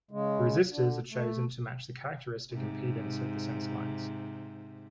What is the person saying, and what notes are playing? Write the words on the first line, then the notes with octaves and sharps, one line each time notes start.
The resistors are chosen to match the characteristic impedance of the sense lines.
C#3 G#3
D3
A3
G#2 C3